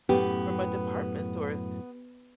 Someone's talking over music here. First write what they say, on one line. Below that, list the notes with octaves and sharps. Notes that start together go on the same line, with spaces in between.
from a department stores,
F#2 A2 B3 G4